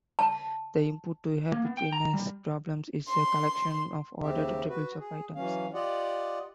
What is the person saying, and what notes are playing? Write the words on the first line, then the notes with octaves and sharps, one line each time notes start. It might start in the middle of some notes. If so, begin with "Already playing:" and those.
The input to a betweenness problem is a collection of ordered triples of items.
A5
A#3
B3
G5
A#5
G3
C6
D#2 C#3 C4 G4 E5
F#4 B4
G#4
E3 F#3 C#4 F5
F4 G4 D5 D#5 F#5